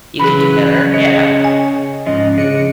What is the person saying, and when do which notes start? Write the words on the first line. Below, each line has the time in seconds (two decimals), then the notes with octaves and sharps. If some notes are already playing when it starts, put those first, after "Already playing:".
"You could do better." Yeah.
0.20 C#3 E3 F#3 G#4 B4 B5
0.52 F#6
0.94 C#5 D#5
1.44 G#5
2.06 G#2 F3 C#4 D#5
2.38 C#3 D4 D#5 C#7